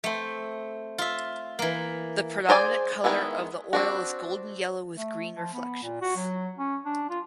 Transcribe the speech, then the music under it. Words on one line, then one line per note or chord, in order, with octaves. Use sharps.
The predominant color of the oil is golden yellow with green reflections.
A3 C4
F4 E5
E3 A#3
G#4 C5 D5 G#5
D#3 F3 G#3 B3 E4
C4 D4 F#4
A3
F3
B3
A#2
F#4
F#3
C#4
D4
F4